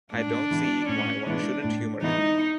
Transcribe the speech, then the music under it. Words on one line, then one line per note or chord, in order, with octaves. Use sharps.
I don't see why one shouldn't humour him.
A2 D4
E3 G#3 B3 E4
A2 C#4
E3 G#3 B3 D4 E4
A2
E3 G#3 B3 D#4 E4